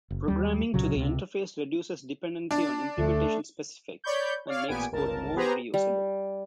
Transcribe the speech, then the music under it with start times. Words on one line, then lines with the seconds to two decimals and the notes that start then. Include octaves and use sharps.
Programming to the interface reduces dependency on implementation specifics and makes code more reusable.
0.11 F#1
0.28 D#2 G3
0.74 C2 A#2 C#3 F#3
0.96 C#2 C3
2.51 D4
2.98 D2 A3
4.04 C#5 D5 B5 C#6 G6
4.47 C#5 D5 F5 F6
4.68 A1 A#2 B3 G4 G#5 D7
4.92 G1 C#2 A#4 A5
5.35 B3 G4 G#4 B4 C5 A#5
5.74 G3